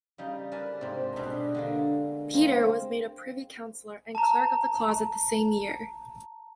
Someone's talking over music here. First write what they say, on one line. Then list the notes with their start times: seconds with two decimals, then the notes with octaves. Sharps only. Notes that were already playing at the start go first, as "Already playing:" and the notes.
Petre was made a privy counsellor and Clerk of the Closet the same year.
0.18 C#3 G3 D#4
0.52 A#4 B4 D5 G#5 A5
0.81 G#2 C3 C4
1.16 B2 G3 D4 G#4 B4
1.55 D3 G#3 A#3
2.33 G#3 A#3 C4
4.15 A5 A#5